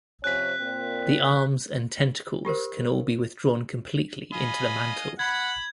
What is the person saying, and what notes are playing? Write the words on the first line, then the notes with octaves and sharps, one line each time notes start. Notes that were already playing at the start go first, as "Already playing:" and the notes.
The arms and tentacles can all be withdrawn completely into the mantle.
C3 F3 C#4 F#6 B6
A#2 C4
F4 G4 A#4 C5
D#5 F5 G#5 B5
F#5 B5 G#6